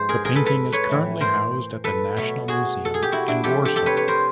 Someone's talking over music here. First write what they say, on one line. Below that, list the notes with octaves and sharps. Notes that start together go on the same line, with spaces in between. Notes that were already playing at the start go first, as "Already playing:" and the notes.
The painting is currently housed at the National Museum in Warsaw.
Already playing: G#2 F3 G#3 C5
G#4 A#4
G#4 A#4
A4 B4
A4 B4
B4 C#5
A2 E3 A3
A#4 C5
A4 B4
B2 F#3 A3
F#4 G#4
A4
G#4
G4
E4 F#4
D4 E4
C3 F3 A3 G4 A4
G4 A4
G4 A4
B4 C#5
B4 C#5
A#4 C5